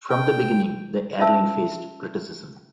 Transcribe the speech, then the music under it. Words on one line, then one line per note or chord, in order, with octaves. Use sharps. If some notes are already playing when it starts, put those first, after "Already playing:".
From the beginning, the airline faced criticism.
G5
C#4 F4 E5 A5 E6